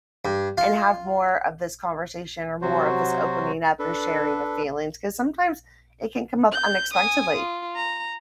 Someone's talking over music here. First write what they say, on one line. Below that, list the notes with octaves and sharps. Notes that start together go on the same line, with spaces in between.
and have more of this conversation or more of this opening up and sharing of feelings," 'cause sometimes it can come up unexpectedly
G2
F4
C3 F#3 F#4 C5
D4 A4 B4
G6
G#5 D#6
F4
A#5